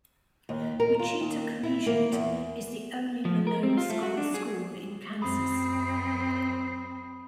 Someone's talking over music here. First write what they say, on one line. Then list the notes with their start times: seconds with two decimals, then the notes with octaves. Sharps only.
Wichita Collegiate is the only Malone Scholars School in Kansas.
0.49 D#2
0.80 A#4
0.99 F4
1.20 D#2
1.63 E4
1.86 A#3
2.12 E2
3.25 F3
3.47 A#4
3.63 C4
3.77 F4
3.90 A3
4.03 F#4
4.17 D4
4.34 G#4
5.22 F#2 C4 B5 D#6